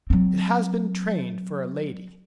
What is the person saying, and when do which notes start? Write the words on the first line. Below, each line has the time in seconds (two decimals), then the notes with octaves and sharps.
It has been trained for a lady.
0.10 F#3 C4